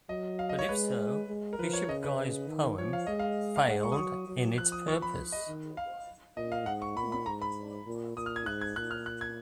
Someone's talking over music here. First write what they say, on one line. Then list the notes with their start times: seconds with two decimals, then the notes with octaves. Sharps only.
But if so, bishop Guy's poem failed in its purpose.
0.09 F#3 D#5
0.39 F5
0.49 D#5
0.59 C#5
0.69 G#3 B4
1.29 G#3
1.53 A#4
1.59 F3 B4
1.73 C#5
1.88 C#3 D#5
2.03 B4
2.19 C#3
2.48 D#3
2.78 F3 C#5
2.93 F5
3.07 G#3 D#5
3.19 F5
3.56 F5
3.67 G#3 F#5
3.83 C#6
3.92 D#6
3.98 F#3 C#6
4.28 F#3
4.57 F3 F#6
4.72 D#6
4.88 C#6
5.02 B5
5.32 D#5
5.47 D#3
5.77 F5
6.37 A#2 D#5
6.52 F5
6.66 G#2 F#5
6.82 C#6
6.97 A#2 B5
7.12 B5
7.26 G#2 A#5
7.42 B5
7.86 A#2
8.17 A#2 D#6
8.26 F6
8.36 G#6
8.46 G#2 F#6
8.61 G#6
8.76 A#2 F#6
8.91 F6
9.06 F#6
9.21 G#6